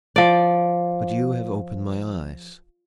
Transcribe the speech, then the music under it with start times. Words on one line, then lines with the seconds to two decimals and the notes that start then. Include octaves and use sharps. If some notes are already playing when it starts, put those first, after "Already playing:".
But you have opened my eyes.
0.16 F3 D5